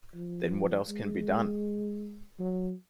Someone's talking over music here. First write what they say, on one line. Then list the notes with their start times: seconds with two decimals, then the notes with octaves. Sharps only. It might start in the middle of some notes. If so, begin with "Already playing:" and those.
Then what else can be done?
0.15 F3
0.89 G#3
2.39 F#3